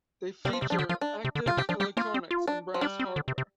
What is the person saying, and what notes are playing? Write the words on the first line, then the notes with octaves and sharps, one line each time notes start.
They feature active electronics and brass hardware.
C3 G3
F3
C3 G3
F3 D4
D3 G4
F3 F4
D4
C3
D3
C3 F4
C3 G4
F3 D4
G3 G4
A#3 F4
C4
F4
D4
F3
G3 D4
C4
D3
C3
C3